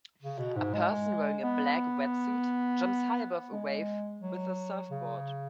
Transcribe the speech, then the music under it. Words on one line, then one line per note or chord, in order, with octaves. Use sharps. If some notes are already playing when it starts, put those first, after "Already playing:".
A person wearing a black wetsuit jumps high above a wave with a surfboard.
C#3
B2
G#2
G#3
B3
G#3
F#3
C#3